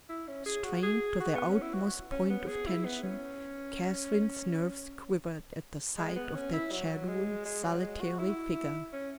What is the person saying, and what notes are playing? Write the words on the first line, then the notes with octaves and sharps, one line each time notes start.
Strained to their utmost point of tension, Catherine's nerves quivered at the sight of that shadowy solitary figure.
E4
C#4
G#4
F#4
G#4
F#4
B3
C#4
E4
F#4
C#4
B3
G#4
E4
B3
C#4
G#3
B3
C#4
E4
F#3
G#3
G#3
F#3
G#3
F#4
E4
C#4